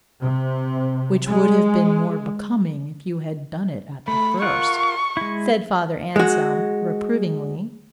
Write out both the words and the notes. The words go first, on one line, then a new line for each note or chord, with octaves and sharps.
"Which would have been more becoming if you had done it at the first," said Father Anselm, reprovingly.
C3
G#3
A3 B5
F4 A#4 F#5 C#6
G#3 E4
G#3 F#4